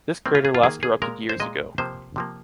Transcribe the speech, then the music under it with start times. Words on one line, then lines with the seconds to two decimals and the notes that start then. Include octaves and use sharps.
This crater last erupted years ago.
0.26 D#3 A#3 C4
0.35 F4
0.45 G#4
0.55 F4
0.63 D#3 A#3 G#4
0.83 G#4
1.02 A#2 G#3 A#4
1.29 C5
1.40 A#2 G#3 D#5
1.78 C3 F3 A#3 C5
2.16 C3 F3 A#3